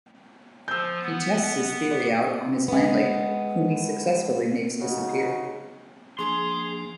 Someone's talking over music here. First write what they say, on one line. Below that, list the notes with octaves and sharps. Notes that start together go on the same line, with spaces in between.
He tests his theory out on his landlady, whom he successfully makes disappear.
F3 E6 G6
B3
D5
G#3 B3
C#3 D#4 F#4 G#4
F3 A#3 D4 G#4 C6